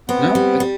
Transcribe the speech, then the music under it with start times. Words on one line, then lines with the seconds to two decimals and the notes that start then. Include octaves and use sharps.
No, uh
0.09 B3 C4
0.35 G3
0.60 G3